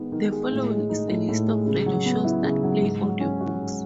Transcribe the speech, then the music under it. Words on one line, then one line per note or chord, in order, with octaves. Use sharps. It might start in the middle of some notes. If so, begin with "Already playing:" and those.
The following is a list of radio shows that play audiobooks.
Already playing: D#3 G#3 B3
D#3
G#3
A2
G#3
D#4
A2
A2
G#3
C#3
F#3
B3
E4
C#3
F#3
G#2
F#3
C#4
F#4
G#2